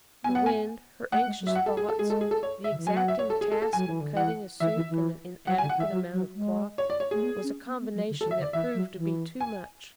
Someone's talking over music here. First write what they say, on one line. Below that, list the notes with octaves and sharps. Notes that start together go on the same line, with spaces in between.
The wind, her anxious thoughts, the exacting task of cutting a suit from an inadequate amount of cloth, was a combination that proved to be too much.
B3 G#5
F#5
G#5
A3 F#5
G#3
F#3
E5
F#5
A4
G#4
A4
G#3 G#4
A4
G#4
A4
C#5
E5
D3
E3
F#3 G#5
F#5
E5
C#5
A4
G#4
A4
A4
F#3 G#5
E3
D3
E3 F#5
E3 E5
E3
E3
F#3 F#5
G#5
D3
F#5
E3
E5
F#3
F#3
G#3
C#5
D5
C#5
A3 G#4
B3
C#4
B3
B3
F#3
D3
A4
E3
E5
D3
D5
E3 E5
F#3
E3
G#5